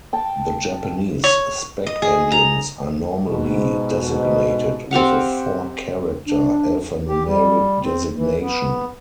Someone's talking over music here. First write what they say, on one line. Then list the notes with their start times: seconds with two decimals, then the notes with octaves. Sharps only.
The Japanese spec-engines are normally designated with a four character alphanumeric designation.
0.13 G5 A5
1.24 C#5
1.86 D#5
2.02 G#4
2.32 A#5
3.27 G#2 B2
4.91 C4 G4 F5 F#5
6.27 D4
7.08 G4
7.26 G3
7.82 C4
8.16 E3
8.40 B3